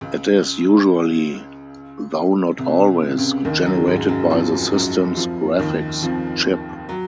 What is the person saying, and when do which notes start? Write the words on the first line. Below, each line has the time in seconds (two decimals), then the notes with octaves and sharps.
It is usually, though not always, generated by the system's graphics chip.
0.01 C#2 C#3
2.59 C2 C3
3.02 C#3
3.11 C3
3.18 C#2 C#3
3.45 D#2 D#3
3.66 F#2 F#3
3.87 G#2 G#3
4.09 F#2 F#3
4.30 F2 F3
4.73 F#2 F#3
5.17 F2 F3
5.59 D#2 D#3
6.02 F2 F3
6.89 F#3